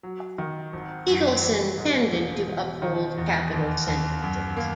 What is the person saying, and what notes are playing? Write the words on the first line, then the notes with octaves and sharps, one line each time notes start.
Eagleson tended to uphold capital sentences.
F#3
D#3
G#1
F#2
E3
G#2
E1
E1
D#3
E2
D#2
D#2
F#2
A#3